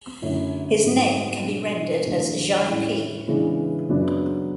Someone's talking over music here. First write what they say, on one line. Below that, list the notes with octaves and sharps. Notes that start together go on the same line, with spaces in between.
His name can be rendered as Jia Pi.
F#2 D3 A3 C#4 E4
G#2 F#3 A3
B2 F#3 B3 D4
E2 D3 F#3 A3 D4
A2 G#3 C#4 E4
C#3 E3 G#3 B3 D4
F#2 C#3 F#3 B3 D4